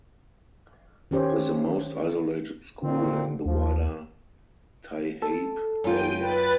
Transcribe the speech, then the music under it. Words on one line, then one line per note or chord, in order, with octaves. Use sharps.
It is the most isolated school in the wider Taihape area.
D#3 C#4 G4 C5 C#5
A#2 D3 D#3 C4
D#2 F3
A4
F#2 F4 G5 D#7
B4 A6